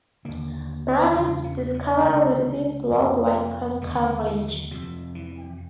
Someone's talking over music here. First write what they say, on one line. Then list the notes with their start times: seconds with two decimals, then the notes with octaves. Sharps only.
Browne's discovery received worldwide press coverage.
0.25 D#2 D3 A#3
1.14 E2 C#3 D4
1.44 C#4
1.74 B3
2.04 C#2 C3 A3
2.92 F2 C3 A#3
3.82 D#2 D3 A3
4.04 G#3
4.26 E3
4.48 F#3
4.71 F2 C3 F3
5.15 E3